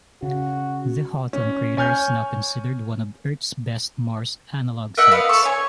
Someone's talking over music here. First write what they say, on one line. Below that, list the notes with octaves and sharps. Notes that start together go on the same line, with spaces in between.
The Haughton crater is now considered one of Earth's best Mars analog sites.
C#3 F#4
C#4
C#5 G#5 F6 G6
A#4 D#5 E5 F#5
B3 F5
A4 C#6
C#5 G#5